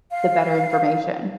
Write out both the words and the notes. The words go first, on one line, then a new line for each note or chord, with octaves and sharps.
the better information?"
F5